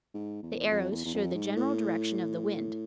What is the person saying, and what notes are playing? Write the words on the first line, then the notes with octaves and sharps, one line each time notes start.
The arrows show the general direction of the wind.
G#2
E2
F2
E2
E2
F2
G#2
A2